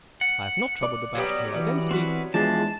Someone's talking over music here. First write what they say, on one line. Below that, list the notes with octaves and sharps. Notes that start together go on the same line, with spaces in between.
I have not troubled about her identity.
F#5
D5
F#3 G3 B3
E3
C4 F#4 B4
E2 F3 G#3 D4 A5